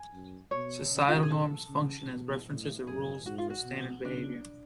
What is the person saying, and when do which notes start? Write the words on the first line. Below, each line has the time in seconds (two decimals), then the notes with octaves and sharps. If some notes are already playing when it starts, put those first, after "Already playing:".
Societal norms function as references or rules for standard behavior.
Already playing: G#5
0.12 F#2
0.51 B2 C#5
0.91 C#3
1.08 F4
1.16 F#4
1.23 G#4
1.30 A4
1.69 C#3
2.08 B2
2.47 A2
2.87 F#2 G#4
3.26 G#2 F#4
3.38 F4
3.50 F#4
3.65 B2
4.04 C#3 D4